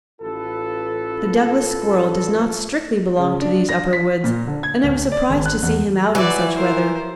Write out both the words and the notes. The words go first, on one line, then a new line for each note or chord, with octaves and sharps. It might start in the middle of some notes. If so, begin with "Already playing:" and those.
The Douglas squirrel does not strictly belong to these upper woods, and I was surprised to see him out in such weather.
A1 F4 A4 B4
C#3
D4
A#6
B6
A#2
D3
G#6
D2
D5
G#1
F#6
E2
E3 F#3 F#4 D5 E5
A#4 C5